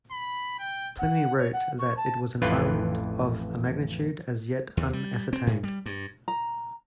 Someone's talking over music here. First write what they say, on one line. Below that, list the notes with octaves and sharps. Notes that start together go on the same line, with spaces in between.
Pliny wrote that it was an island "of a magnitude as yet unascertained".
B5
G5
F#5
C#5
F#5
C#6
A5
A1 F2 E3 F4 B4
D#2
G3
C4
A2
G3
G2
A#5